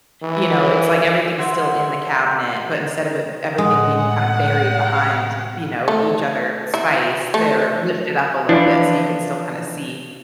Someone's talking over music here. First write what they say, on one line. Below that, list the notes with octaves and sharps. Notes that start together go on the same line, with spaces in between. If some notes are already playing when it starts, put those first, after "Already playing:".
you know, it's like everything's still in the cabinet, but instead of it everything being kind of buried behind, you know, each other spice, they're lifted up a little bit so you can still kinda see,
E3
G4 E5 F#5 C6 G#6
A2 G#3 F#5
A3
E4
A3
E3 F3 D4 E4 D5